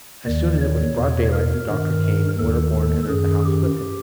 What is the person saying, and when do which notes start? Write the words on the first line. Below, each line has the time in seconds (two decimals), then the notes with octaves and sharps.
As soon as it was broad daylight the doctor came, and Winterborne entered the house with him.
0.26 D#2 D#3 D5
0.61 C#5
0.97 E2 B2
1.33 A#4
1.67 G2 D#3
2.39 D#2 D#3 A4
3.10 F#2 D#3 G#4
3.45 G4